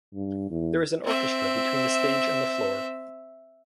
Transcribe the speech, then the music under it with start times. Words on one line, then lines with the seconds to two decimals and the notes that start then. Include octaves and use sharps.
There is an orchestra between the stage and the floor.
0.14 G2
0.50 E2
1.05 C4 E5